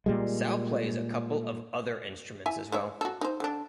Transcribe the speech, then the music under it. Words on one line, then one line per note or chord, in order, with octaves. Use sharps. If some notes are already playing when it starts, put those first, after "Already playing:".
Sal plays a couple of other instruments as well.
A#2 G3 G#3
E4 E5 G#5
B4 C#5 E5
F#4 A4
D#4 C5
D3 D4